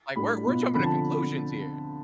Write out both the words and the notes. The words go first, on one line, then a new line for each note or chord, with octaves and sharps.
Like, we're we're jumping to conclusions here.
A2 G3 D4 B5
B2 B3 F4
D3 F3 C4 B5
A5